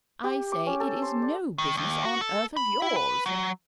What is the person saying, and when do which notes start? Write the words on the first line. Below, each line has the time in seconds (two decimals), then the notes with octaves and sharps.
I say it is no business on earth of yours.'
0.24 G4
0.52 D6
0.67 C#4
0.80 A4
1.02 C5
1.22 D5
1.58 D#3
1.77 D#2
2.05 F#4
2.21 A4
2.56 B5
2.82 E4
2.96 B4
3.26 F#3